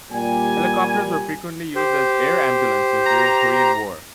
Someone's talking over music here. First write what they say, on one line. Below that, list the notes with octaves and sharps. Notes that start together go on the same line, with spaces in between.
Helicopters were frequently used as "air ambulances" during Korean War.
A#2 G3 G#5
G4 C5
A#5